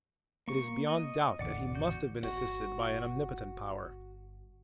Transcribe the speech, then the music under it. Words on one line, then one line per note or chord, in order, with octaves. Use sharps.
It is beyond doubt that He must have been assisted by an omnipotent power.
A#3 C#6
D#5
A1 E2 D3 D5 F#5 D6
F#4 G6
G1 F#4